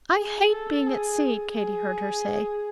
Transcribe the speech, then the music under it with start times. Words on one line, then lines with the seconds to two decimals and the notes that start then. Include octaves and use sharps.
"I hate being at sea," Katy heard her say.
0.18 G#4
0.52 A4
0.87 G#4
1.57 G#4